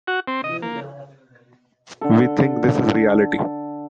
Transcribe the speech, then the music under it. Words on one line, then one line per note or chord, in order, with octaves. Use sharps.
We think this is reality.
F#4
C4
D#5
A#3
D3 A4